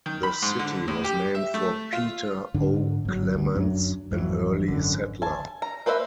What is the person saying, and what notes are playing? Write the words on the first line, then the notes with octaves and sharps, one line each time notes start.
The city was named for Peter O. Clements, an early settler.
D#3
B5
G#2
D3
A2
G4
E5
A3
F4
G#2 D3 D4
G1 F#3
G1 D2
F#2 F#3 D4
G#1 F2 E3 F#3
G#1 F#2 D3
G#5 A5
A#5
A#3 B4 C5 D#5 E5